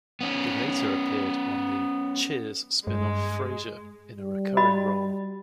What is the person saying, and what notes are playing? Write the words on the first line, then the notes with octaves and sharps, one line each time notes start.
He later appeared on the "Cheers" spin-off "Frasier" in a recurring role.
B3 C#4
G2 G#3
G3
F#4 D#5 B5